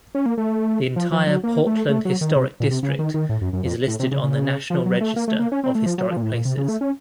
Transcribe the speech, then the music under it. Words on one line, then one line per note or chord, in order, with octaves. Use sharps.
The entire Portland Historic District is listed on the National Register of Historic Places.
C#4
A#3
A3
F3
F3
F#3
A#3
A3
A3
F#3
D#3
C3
A#2
C3
C#3
D#3
D#3
A2
F#2
F#2
F2
A2
C3
C#3
C#3
F3
F#3
A3
A#3
A3
A#3
C#4
C4
A3
F3
F#3
F3
A#2
A2
A#2
C3
C#3
A3
C#4